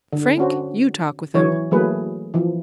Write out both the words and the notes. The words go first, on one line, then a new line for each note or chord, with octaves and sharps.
Frank, you talk with him.
D3
C#4 D4 F#4 C5
E3 F#3 C#5
E3 F#3 A3 A#3 G#4 B4
E3 F3